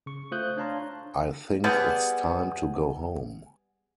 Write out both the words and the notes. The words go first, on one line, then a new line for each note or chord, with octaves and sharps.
I think it's time to go home.
C#3 C#6
A3 F4 C5 D#6 F#6 G6
D4 C#5 F5 A5 A#5 C6
G3 B3 G#4